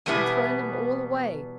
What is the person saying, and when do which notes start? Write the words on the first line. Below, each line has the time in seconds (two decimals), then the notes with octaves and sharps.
'And thrown them all away.
0.06 E2 B2 G3 B3 E4